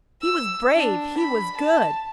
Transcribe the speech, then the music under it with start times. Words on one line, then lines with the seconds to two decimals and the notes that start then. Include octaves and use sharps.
"He was brave, he was good!"
0.23 E6
0.74 D4
1.18 B5
1.57 A5